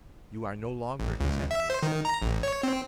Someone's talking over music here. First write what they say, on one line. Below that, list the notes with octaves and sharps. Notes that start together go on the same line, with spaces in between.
You are no longer his enemies.
A1
C#2
E5
C5
D#3
A#5
A1
C#5
C4